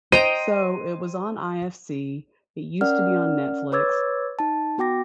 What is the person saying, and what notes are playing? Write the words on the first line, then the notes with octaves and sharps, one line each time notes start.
So, it was on IFC; It used to be on Netflix.
C5 D#5 G5 A#5 D#7
C#4 A#4 D5 F#5 F6
B4 C#5 D6 E6 G#6 A6
D#4 A5
B3 F#4 G5 D6 A#6